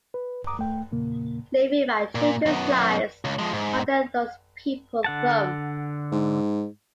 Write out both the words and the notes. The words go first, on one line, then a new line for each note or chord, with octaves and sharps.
Leaving my children's lives under those people thumb.
B4
A#5 D6 D#6
A3 G5
E2 A#2 C#3 A#3
A#2
F#2 B3
C#2
F3 G#3
G#2
D3 F#5 A5
G#2